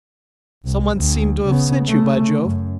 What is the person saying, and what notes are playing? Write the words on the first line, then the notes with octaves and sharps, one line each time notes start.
Someone seemed to have sent you, by Jove!
C2
D2
C#3 B3
C#3 A3
F#2